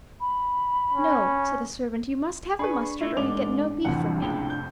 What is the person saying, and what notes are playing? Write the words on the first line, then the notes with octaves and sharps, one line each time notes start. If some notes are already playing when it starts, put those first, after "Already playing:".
"No," said the servant, "you must have the mustard, or you get no beef from me."
B5
C#4
D4 G#4 B4 B5 C#6
A3 E4 F4
A1 G#2 G#3 A#4 D5 D#5 D6 F7
C2 F2 A2 E3 F#5
C#2 G5
G6